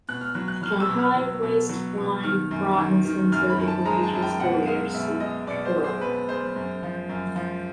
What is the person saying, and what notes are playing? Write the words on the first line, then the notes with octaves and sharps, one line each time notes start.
A high waistline broadens until it reaches the rear "C" pillar.
B2 F#6
F6
F#3 F#6
F#6
F#3 F6
E6
B2
F6
F#3
B2
F#3
B2
D#3 F6
F#2
D#3
D#3
F#2 F6
B5
F#2
A5
G#3 A#5
A5
F#2
G5
B2 F#5
G#3 F5
B2 E5
G#3 D#5
B2 D5
C5
G#3
C5
B2 B4
G#3 C5
F#2
F3
F#2
F3